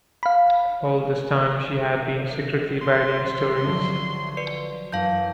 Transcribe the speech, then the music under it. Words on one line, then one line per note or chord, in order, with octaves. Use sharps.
All this time she had been secretly writing stories.
F5 B5
C6
D3 F3 F#3
B4 D5 C#7
F#2 E3 F5 A5 G6